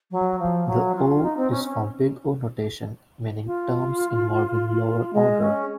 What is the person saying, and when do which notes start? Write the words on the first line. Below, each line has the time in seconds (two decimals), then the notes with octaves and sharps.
The "O" is for big O notation, meaning "terms involving lower order".
0.11 F#3
0.39 F3
0.67 F#3
0.95 F4
1.23 D#4
1.36 C4
1.50 C#4
1.64 C#4
3.46 F4
5.13 G#3
5.41 C#4